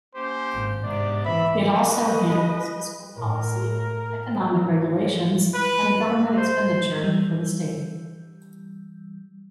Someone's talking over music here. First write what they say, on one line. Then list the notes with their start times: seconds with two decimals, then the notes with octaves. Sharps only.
It also handles fiscal policy, economic regulations and government expenditure for the state.
0.15 A#3 C#4 G4 C5
0.54 G#1
0.83 G#2 C3 B3 D4 D5
1.25 E3 E5 B5
1.86 B4 D#5
3.17 A2 A#4
5.54 B4
6.37 C5
7.03 E3 G3